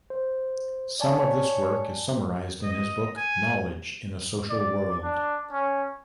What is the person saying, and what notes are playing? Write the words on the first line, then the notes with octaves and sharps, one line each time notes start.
Some of this work is summarized in his book "Knowledge in a Social World".
C5
C#5 D5 G#5 A5
D#5
G#5
D5
D4
C#4